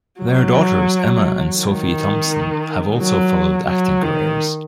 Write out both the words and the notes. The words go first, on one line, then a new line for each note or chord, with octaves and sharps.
Their daughters Emma and Sophie Thompson have also followed acting careers.
F#3
D#3
F#3
F#3
D#3